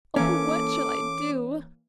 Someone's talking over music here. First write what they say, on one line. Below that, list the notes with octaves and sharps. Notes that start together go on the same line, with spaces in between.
Oh, what shall I do?
E3 A#3 C#4 A4 D6